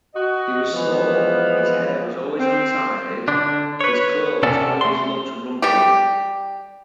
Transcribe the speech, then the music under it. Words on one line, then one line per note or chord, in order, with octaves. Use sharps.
He was small, his hair was always untidy, his clothes always looked rumpled.
F#4 D#5
E3 F3 G#3 B3
C4
D3 D4
B4 C#5
C3 C#4 A4 D5 F#5 A5
A3 C6
G3 G4